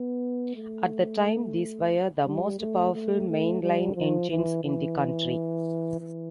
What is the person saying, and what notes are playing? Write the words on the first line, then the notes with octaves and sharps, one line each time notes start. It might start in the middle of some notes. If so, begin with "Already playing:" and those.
At the time, these were the most powerful main line engines in the country.
Already playing: B3
A3
G3
A3
A3
A3
G3
F3
E3
E3
E3